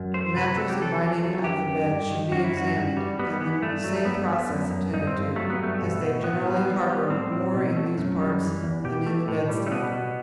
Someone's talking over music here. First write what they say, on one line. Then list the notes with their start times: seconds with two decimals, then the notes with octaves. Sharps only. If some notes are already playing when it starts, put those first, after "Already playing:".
The mattress and binding of the bed should be examined, and the same process attended to, as they generally harbor more in these parts than in the bedstead.
Already playing: F#2
0.14 A3 C5
0.36 C3 B4
0.57 F#3 A4
0.69 G4
0.80 F#3 A4
1.01 E2
1.24 F#3
1.44 F#2 G4
1.67 F#2
1.89 G2
2.10 D#3
2.31 F#2 F#4
2.44 E4
2.53 F#2 F#4
2.75 G2
2.97 G3
3.19 G3 B3
3.41 E3 B3
3.62 G2 A3
3.84 F#3
3.96 A3
4.05 G2 B3
4.28 A3
4.49 F#2
4.71 F#2
4.93 G2 D#4
5.07 C4
5.15 G2
5.36 F#3 A3
5.50 B3
5.58 G2 A3
5.80 B2
6.01 B2
6.23 A2 B3
6.45 G3
6.67 G3
6.89 G3
7.10 A2 C4
7.32 A2
7.54 B2
7.76 A3
7.97 F#2
8.19 G3
8.42 E3
8.63 E2
8.84 B2 G4
9.06 A3
9.28 A2
9.49 G3
9.66 A3
9.71 B2 B3
9.93 B2